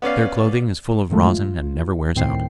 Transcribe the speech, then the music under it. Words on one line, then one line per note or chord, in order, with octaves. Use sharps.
Their clothing is full of rosin and never wears out.
B3 C#4 D5 F5
F#2 A2 D#3 F3 G#3 A3
F4
D2 A2 D#3 C4 G5 C7